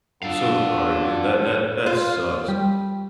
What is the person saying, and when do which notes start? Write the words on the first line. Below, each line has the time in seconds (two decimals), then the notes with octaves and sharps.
I'm so sorry, dude, that that that sucks.
0.23 D4 F4 A4 F5 F#5
1.86 F4
2.48 G3